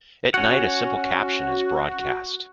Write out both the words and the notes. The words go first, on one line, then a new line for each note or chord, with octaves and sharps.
At night a simple caption is broadcast.
C#4 F#4 F#5